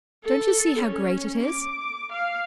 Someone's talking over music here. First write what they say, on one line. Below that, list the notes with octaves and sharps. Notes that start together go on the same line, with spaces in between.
Don't you see how great it is?
A4
C#4
D6
F5